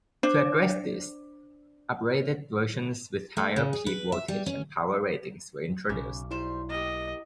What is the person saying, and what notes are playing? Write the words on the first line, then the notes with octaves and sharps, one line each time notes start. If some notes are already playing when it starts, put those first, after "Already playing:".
To address this, uprated versions with higher peak voltage and power ratings were introduced.
D4 C5
A3
C#3
G#4
B4
E5
G3
C#4
B1 C#3 D6
G3 E4 C5
A#3 G4 D#5